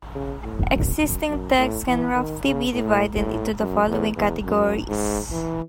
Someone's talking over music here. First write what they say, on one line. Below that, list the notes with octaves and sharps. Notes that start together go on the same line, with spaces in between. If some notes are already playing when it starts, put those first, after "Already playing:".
Existing texts can roughly be divided into the following categories.
C#3
A2
F#2
F#2
F#2
A2
E3
D#3
C#3
A2
A2
F#2
E2
E2
F#2
G#2
E3